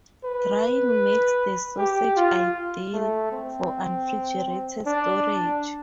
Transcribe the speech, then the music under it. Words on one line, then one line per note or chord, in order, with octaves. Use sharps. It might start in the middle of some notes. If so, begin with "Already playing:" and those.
Drying makes the sausage ideal for unrefrigerated storage.
B4
G4
F4
A3
C4
D4